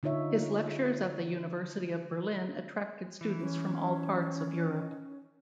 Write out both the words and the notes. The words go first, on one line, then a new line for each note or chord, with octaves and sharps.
His lectures at the University of Berlin attracted students from all parts of Europe.
D3 D#4 F4 C#5 E5
E3
C#4